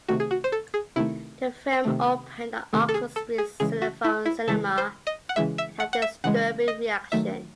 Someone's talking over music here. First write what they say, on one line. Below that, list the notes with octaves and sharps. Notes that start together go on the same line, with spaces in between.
The film opened at Oxford Street's Cinephone cinema and had a disturbing reaction.
C3 D#3 A3 F#4
G#4
F#4
C5
A4
G#4
C3 D#3 A3 E4
C3 D#3 A3
C3 D#3 A3
A4
G#4
A4
G#4
C#3 E3 G#3 G#4
F#4
E4
E4
C#3 E3 G#3 A4
C5
D#5
F#5
C#3 E3 G#3 E5
E5
F#5
F#5
E5
C#3 E3 G#3 F#5
D#5
D#3 F#3 A3 E5